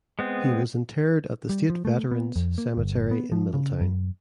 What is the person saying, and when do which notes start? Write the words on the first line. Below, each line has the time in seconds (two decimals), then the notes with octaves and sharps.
He was interred at the State Veterans Cemetery in Middletown.
0.19 G#3 B3 C4
1.49 G3
1.70 F3
1.85 A3
2.11 B3
2.36 F2
2.58 A#3
2.77 G1
3.11 B3
3.32 F3
3.54 C#3
3.81 F#2